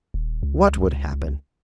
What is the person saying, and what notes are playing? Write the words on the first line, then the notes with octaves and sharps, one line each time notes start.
"What would happen?"
D#1
C#2